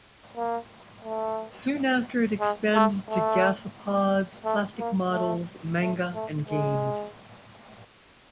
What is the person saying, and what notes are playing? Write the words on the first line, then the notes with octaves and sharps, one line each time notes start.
Soon after it expanded to Gashapons, plastic models, manga and games.
A#3
A3
G#3
A3
A3
A3
A#3
A3
A3
A3
G#3